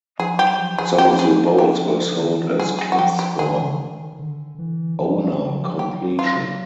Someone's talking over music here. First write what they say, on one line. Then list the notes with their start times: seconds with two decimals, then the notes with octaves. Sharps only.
Some of the boats were sold as kits for owner completion.
0.19 F3 G#4
0.39 F#3 G4
0.59 F3
0.78 F3 G#4
0.98 F3 G4
1.19 G#4
1.58 G4
2.20 D#3
2.33 E3
2.46 F3
2.59 F#3 G#4
2.79 G#4
2.92 F#4
2.98 F3 G4
3.19 G4
3.39 D#3 G#4
3.51 E3
3.63 D#3
4.19 D3
4.59 E3
4.99 F3
5.50 F#3
5.62 F3
5.74 F#3
5.79 G4
6.19 F4